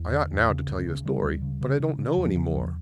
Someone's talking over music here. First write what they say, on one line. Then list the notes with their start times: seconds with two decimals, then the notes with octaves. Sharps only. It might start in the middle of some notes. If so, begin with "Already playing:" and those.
"I ought now to tell you a story; but I don't know any more."
Already playing: E2
0.12 D3
0.30 E2
0.49 C#3
0.67 D2
0.87 C#3
1.05 C#3 G3
1.24 D2
1.42 C#3
1.61 C#3
1.80 C#3
1.99 C#3
2.17 E2 F3
2.36 C#3
2.55 E2